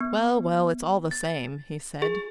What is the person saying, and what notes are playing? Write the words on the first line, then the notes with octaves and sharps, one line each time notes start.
"Well, well, it's all the same," he said.
B3
A6
G#4